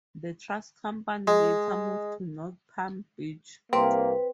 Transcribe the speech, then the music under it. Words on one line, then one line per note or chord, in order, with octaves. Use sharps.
The trust company later moved to North Palm Beach.
G#3
C2 A#3 C4 B4